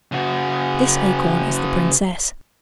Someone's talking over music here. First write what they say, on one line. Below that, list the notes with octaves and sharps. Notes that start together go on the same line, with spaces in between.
This acorn is the princess.
C#3 F#4